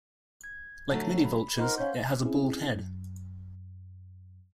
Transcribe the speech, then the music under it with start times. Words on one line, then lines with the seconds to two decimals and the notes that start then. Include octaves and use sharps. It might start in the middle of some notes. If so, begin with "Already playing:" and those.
Like many vultures, it has a bald head.
0.44 G#6
0.90 D3 F#3 A3 C#5 A5
1.25 B5
1.58 D#4 A#4 C5 F#5 C6
1.78 C#4 F5 G6
2.25 C4 C#4 E4 G#4
2.75 F#2